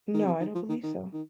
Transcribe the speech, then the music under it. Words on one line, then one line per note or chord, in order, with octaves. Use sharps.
No, I don't believe so.
D#3
C3
D#3
F3
D#3
D#3
D#3